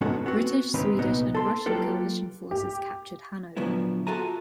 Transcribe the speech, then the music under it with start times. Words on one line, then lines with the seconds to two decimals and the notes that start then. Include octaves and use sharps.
British, Swedish and Russian coalition forces captured Hanover.
0.01 G#3 B3 C#4 D#4 F#4 A4
0.26 B3 C4 F#4
0.74 D#3 C4 C#4 D#4 B4
0.97 C2 A#2 B3 D#4
1.35 A4 C6
1.66 F#3 A#3 F4 G4 A4 B4
2.51 G4
3.57 A#2 D3 F3 F#3 B3 E4
4.07 F4 F#4 A4 E5 G#5 A#5